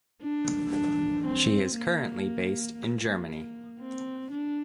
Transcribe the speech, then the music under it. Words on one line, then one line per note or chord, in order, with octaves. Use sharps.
She is currently based in Germany.
D4
D4
C4
A#3
A#3
C4
D4